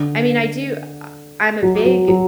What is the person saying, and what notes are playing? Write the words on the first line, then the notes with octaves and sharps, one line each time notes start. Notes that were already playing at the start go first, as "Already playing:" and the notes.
I mean, I do I I'm a big,
Already playing: D3
F#3
F#3
F#3